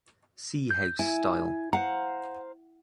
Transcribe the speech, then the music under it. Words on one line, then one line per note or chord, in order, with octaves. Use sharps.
See house style.
G6
E4 G#5
C5 F5 F#5 A#5